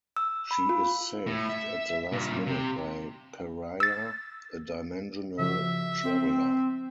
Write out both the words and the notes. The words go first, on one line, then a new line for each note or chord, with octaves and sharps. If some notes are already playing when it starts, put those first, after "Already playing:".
She is saved at the last minute by Pariah, a dimensional traveler.
E6
B5
F4
A2
E5
G2 A#2
C3
E6 A6
C#3 F3 F#4 E5
C4